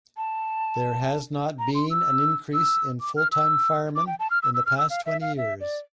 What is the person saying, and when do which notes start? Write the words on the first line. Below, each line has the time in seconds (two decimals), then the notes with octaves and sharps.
There has not been an increase in full-time firemen in the past twenty years.
0.17 A5
1.59 A#5
1.75 C6
1.90 E6
2.54 E6
3.01 D6
3.17 F6
3.32 E6
3.96 D6
4.07 G5
4.19 A5
4.31 F6
4.43 E6
4.54 E6
4.66 F6
4.78 E6
4.90 F5
5.06 E5
5.21 F5
5.37 E5
5.61 D5